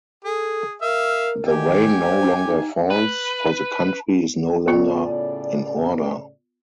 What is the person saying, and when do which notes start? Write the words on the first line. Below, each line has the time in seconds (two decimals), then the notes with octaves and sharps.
The rain no longer falls, for the country is no longer in order.
0.25 G#4 A4
0.82 A#4 E5 F5
1.47 D#3 G4 G#5
2.07 C5
2.45 D#4
2.90 B4
4.68 A2 C#3 B3 F4 D5